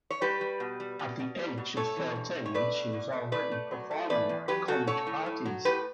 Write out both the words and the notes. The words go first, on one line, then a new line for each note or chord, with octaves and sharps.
At the age of thirteen, she was already performing at college parties.
C#5
G3 G4 B4
G3
B2
G3
B2
B2
G3
B2
A3 A4 C#5
E3
G2
G2
C#5
A3 B4 D5
B2
B2
A3
A3 B4 D5
A3
F#3
A3
E2 B4 D5
E2
F#3 G4 B4
C#3 F#4 A4
A3 A4 C#5
A2
A2
F#3
A2 G4 B4